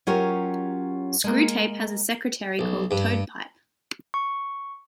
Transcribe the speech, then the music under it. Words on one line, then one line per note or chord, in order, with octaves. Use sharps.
Screwtape has a secretary called Toadpipe.
F#3 C#4 F4 G4 A#4
G#3 A#3
B1
G2
C#6